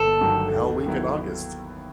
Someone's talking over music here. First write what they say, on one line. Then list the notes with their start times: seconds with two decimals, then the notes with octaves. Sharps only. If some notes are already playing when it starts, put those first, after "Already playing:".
Mhm. Hell Week in August.
Already playing: G1 A4
0.21 G2 D#3 F#3 A3
0.53 D#2
0.86 D#3 F#3 B3 E4